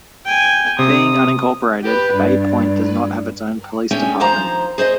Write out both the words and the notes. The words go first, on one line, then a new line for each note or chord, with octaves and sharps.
Being unincorporated, Bay Point does not have its own police department.
G5 G#5
C3 D#6
G4 B4
G2
A3 C#4 D4 G#4 G5 G#5
D#2 F3 C5 A#5
G#4 C5 C#5 D#5